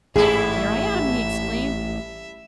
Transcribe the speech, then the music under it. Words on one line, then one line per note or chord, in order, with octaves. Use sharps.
'Here I am!' he exclaimed.
A1 G#2 G3 E4 G#4 A4 E5